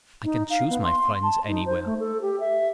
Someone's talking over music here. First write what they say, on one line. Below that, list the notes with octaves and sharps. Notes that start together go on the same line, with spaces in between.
I can choose my friends anywhere.
D#4
F5
B3
C6
A5
D#4
C5
A3
A4
G4
E5